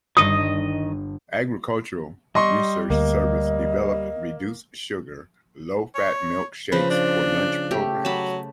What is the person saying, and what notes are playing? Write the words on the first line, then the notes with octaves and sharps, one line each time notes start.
Agricultural Research Service developed reduced-sugar, low-fat milk shakes for lunch programs.
G1 G2 D#3 G3 D#5 D#6
G3 D#5 C6 C#6
D2 A#3 D#5
C#5
C#3 F3 B4 C5
D4
A3 G4
F#3 A5 B5